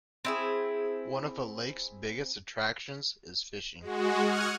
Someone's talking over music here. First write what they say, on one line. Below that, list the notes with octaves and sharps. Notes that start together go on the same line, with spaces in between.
One of the lake's biggest attractions is fishing.
C4 E4 G#4
G#3 F#4
F#5 C#6 D#6 F6 F#6 G#6